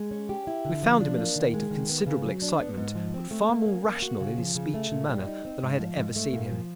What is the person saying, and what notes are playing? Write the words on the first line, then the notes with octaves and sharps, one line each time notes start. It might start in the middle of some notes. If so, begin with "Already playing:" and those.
We found him in a state of considerable excitement, but far more rational in his speech and manner than I had ever seen him.
Already playing: G#3
C#4
G4
E4
D3
F3
D4
A#3
D#3
G#3
D#3
B3
C#3
F#3
D4
B3
G#2
F3
C4
A3
A#3
C#4
A#3
F#4
C#3
F3
C#3
A3
A#2
G3
D#4
C4
G#2
F3
G#2
A3
A#2
F3